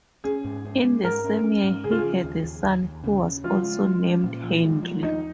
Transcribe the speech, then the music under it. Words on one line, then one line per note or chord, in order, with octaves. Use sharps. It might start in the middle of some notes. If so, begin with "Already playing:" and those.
In the same year he had a son who was also named Henry.
C#4 G#4
G#2
C#4
G#3
G#2 A#4
C#4
C#4
G#2
C#3 G#4
F4
G#4
F3
D#2
D#2
D#2
D#2
C#3
C#3
F3 F4
G#3
G#3
C#4
A#2
F3
G#3
F3
D#2 D#4